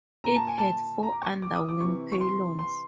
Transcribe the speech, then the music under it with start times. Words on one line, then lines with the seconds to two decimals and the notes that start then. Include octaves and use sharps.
It had four underwing pylons.
0.24 A#2 A#5
0.36 A5
0.47 G#5
0.58 A5
1.03 A#5
1.12 D6
1.23 C#6
1.42 D6
1.54 D#6
1.69 D6
1.80 C3 E3 C#6
2.12 C#6
2.21 C6
2.59 C6